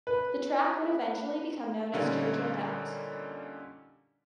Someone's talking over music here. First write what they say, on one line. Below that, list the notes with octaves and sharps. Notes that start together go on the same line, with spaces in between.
The track would eventually become known as Churchill Downs.
B4
A#2 D3 G3 C#4 D#4